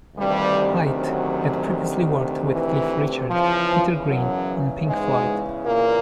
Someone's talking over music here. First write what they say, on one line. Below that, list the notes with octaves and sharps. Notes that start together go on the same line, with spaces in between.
White had previously worked with Cliff Richard, Peter Green and Pink Floyd.
D2 G2 C3 D#3 G3
F#2 F#3
E3
E2 C#3 E3 F3
F#2 F#3
G#2 G#3
A#2 A#3